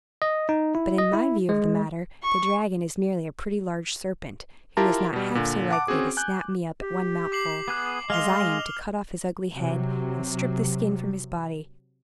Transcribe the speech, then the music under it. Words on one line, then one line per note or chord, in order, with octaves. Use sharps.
But, in my view of the matter, the dragon is merely a pretty large serpent, who is not half so likely to snap me up at one mouthful as I am to cut off his ugly head, and strip the skin from his body.
D#5
D#4
E4
D#5
E4
G#3
C#6
E4 F4 G4 A#4 A5 A#5
B2 G3
A#2 D3
F#5 A5 D6
C4 C#4 F#4 G#4
G#5 F#6 G6
G4
D6 C7 F#7
B3 G#4 F#6
G#3 D#5 F5 C6 F6 F7 G7
C3 F#3